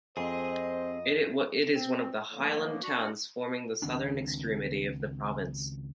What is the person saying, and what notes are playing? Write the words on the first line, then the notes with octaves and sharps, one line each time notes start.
It is one of the highland towns forming the southern extremity of the province.
F2 C4 G#4 C5 D#5
C4
A2 D3 E3 F3 A3 A#3
D4 F#4
C#2 D#3 C4 D4